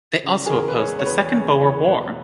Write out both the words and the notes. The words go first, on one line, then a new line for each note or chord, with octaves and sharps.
They also opposed the Second Boer War.
C#3
G#4
E2 A#4
B4
G#3 C#5
C#5
E2 B4
C#3 C#5
E2 C#5
B2 B4